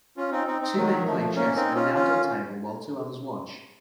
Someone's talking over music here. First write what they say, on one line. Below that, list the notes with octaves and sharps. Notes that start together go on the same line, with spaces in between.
Two men play chess at an outdoor table while two others watch.
C#4 F4
C4 D#4
C4 D#4
C4 D#4
D#3 F#3
F3 A3
A#3 C#4
C4 D#4
C#4 F4
C#4 F4